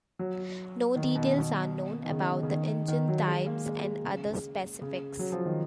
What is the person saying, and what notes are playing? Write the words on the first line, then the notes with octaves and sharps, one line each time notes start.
No details are known about the engine types and other specifics.
F#3
D#3
B2
B2
D#3
C#3
C#3
D#3
D#3
F#3
G#3
A#3
G#3
G#3
C#3
C#3
F#3
F3
D#3